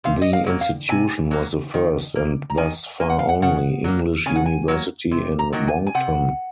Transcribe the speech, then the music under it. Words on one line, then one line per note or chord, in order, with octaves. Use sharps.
The institution was the first, and thus far only, English university in Moncton.
C3 F5
D#5
F5
F#3 A#3
F5
C3 G#5
F#3 A#3
D#3
A#3
A#5
D#3 G#5
A#3 G#5
F#5
F5
F#5
C#3 F#5
F#3 A#3
C#3 G#5
F#5
G#5
F#3 A#3
C3
A#5
D#3 F#3 A#3
G#5
G#5
C3 F#5